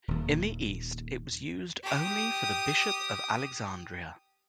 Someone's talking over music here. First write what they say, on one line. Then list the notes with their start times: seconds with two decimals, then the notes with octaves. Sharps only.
In the East it was used only for the Bishop of Alexandria.
0.08 D#1 D#2
1.82 G4 D#6